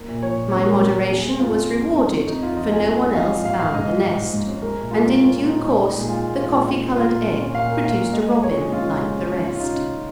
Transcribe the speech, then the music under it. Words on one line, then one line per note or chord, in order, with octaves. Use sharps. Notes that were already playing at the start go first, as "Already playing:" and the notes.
My moderation was rewarded, for no one else found the nest, and in due course the coffee-coloured egg produced a robin like the rest.
Already playing: A#3
A#2
F3 C#5
A#2
C#4 C#5
F3 A#4
C#4 A#4
A#3
C#4 G#4
G#3
F2 F4
C#4
F3
F2
C#4
C#4
F2 D#4
F2 F4
F3 D#5
F2 G#5
G#3
C#4 D#5
F3 F5
F3
G#2 F5
G#2 F5
G#2 D#5
F3
G#2
G#2
G#2
C#4
G#3 A#4
A#2
G#3 F4
C#4
A#2 F4
A#2
A#2 D#4
G#3
G#3
A#2
G#4
G#3 F4
A#2
G#3 F4
A#2
A#2
C#4
A#3 F4
A#2
C#4
C#4
A#2 F5
A#3
A#2 F5
A#2
G#3 D#5
G#3
F3 C#5
G#3 G#4
C#4 F4
C#3
G#3
C#4
C#4 F4
C#4
F4
C#3 D#4
C#3
C#3